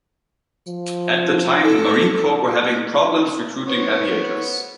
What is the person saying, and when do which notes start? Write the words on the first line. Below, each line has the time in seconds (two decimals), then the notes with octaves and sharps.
At the time, the Marine Corps were having problems recruiting aviators.
0.67 F3
1.63 A4
3.68 B3 C5 C#5